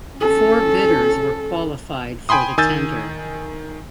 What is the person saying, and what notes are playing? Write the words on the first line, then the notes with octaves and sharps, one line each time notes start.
Four bidders were qualified for the tender.
C#4 A4
G5 G#5 B5 C6 D#6
D#3 G#5 E6 G6 A6